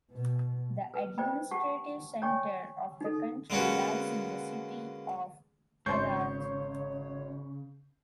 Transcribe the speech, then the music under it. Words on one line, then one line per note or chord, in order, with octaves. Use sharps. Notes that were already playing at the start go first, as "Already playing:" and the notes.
The administrative center of the county lies in the city of Arad.
B2
B4
C5 D5 D#5 G5 B5
G4 F#5 A5 C#6
C#5 D5 G5 G#5 C#6
D#4 A4
D3 G#3 A#3 B3 C#4 F#4
G#1 C#3 C5 C#5 C6 C#6 G6 C7